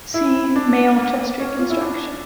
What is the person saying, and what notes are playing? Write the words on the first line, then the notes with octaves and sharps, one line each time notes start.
See Male Chest Reconstruction.
E4
D4
A#3
C#4
F4
E4
D4